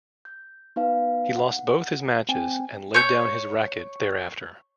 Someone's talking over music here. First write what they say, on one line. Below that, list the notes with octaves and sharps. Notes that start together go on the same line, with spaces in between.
He lost both his matches and laid down his racket thereafter.
G6
B3 D#4 B4 F5
F#5
C4 G5 G#5
C#5 G6